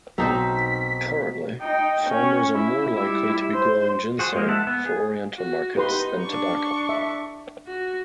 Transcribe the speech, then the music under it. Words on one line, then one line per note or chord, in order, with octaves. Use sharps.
Currently, farmers are more likely to be growing ginseng for oriental markets than tobacco.
B1 B2 C4 D#4 C5 A#5 B6
D#4 G5
C#4
E4
G3 E4
C5
F#4 G#4 C5
F3 G#3 A#3 D#4
E5 F#5 A5
B3
G#4
F#4
D#4 G4 B4 C6
D4 C#6
E5
F#4